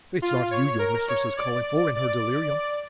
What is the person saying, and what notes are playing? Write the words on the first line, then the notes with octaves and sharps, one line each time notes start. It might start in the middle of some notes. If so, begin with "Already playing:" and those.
It's not you your mistress is calling for in her delirium.
F4
C#5
A#4
C#5
D5
D5